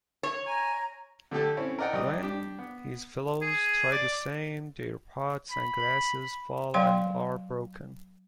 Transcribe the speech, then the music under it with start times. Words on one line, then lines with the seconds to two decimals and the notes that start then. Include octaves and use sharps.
When his fellows try the same, their pots and glasses fall and are broken.
0.23 C#5
0.47 G#5 A#5
1.31 D3 A3 G4 A4
1.57 C4 C#4 E4
1.79 A#4 D5 D#5 F#5 G5
1.93 C2 D#5 D#6
2.21 D4 G4
2.59 B3
3.42 G#4
3.92 D5
5.50 B5
6.74 F#3 C#5 F5 G5 C6